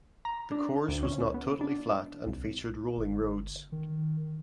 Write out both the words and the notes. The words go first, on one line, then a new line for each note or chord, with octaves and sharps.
The course was not totally flat and featured rolling roads.
A#5
D4
D2
C#4
B3
D4
C2
G1
D#3